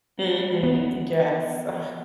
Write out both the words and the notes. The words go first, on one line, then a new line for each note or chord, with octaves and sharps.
Mhm, yes, ugh,
B3